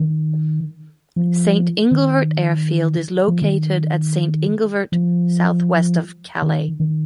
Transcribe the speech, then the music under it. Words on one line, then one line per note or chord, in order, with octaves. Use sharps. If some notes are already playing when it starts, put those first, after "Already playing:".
Saint-Inglevert Airfield is located at Saint-Inglevert, south west of Calais.
Already playing: D#3
F3
D#3
F3
D#3
F3
D#3
D#3